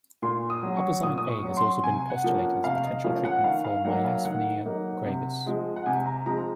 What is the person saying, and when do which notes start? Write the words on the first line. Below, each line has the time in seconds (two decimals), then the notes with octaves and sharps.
Huperzine A has also been postulated as a potential treatment for myasthenia gravis.
0.22 A#2 C6
0.50 D#6
0.63 F#3 C#4
0.77 C#6
1.03 A#2 D#6
1.18 D#6
1.30 C#6
1.43 F#3 C#4
1.57 C6
1.83 C3 G#5
2.10 F#5
2.24 F3 A#3 C#4
2.37 F#5
2.64 C3 F5
2.84 D#5
3.04 F3 A#3 C#4 F5
3.25 F#5
3.44 D#3 F5
3.64 F5
3.84 F#3 A#3 D#4 F#5
4.05 F5
4.25 D#3 F#5
4.65 F#3 A#3 D#4
5.06 C3
5.46 F3 G#3 C4
5.76 F#5
5.86 C3 G#5
6.06 A#5
6.26 F3 G#3 C4 A#5